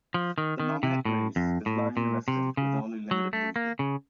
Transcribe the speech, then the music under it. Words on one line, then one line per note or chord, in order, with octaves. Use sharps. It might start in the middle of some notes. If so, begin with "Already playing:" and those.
The nominate race is largely resident, with only limited movement.
F3
D#3
D#3
C3
A2
F2
A2
A#2
C3
C#3
F#3
A3
A#3
C#3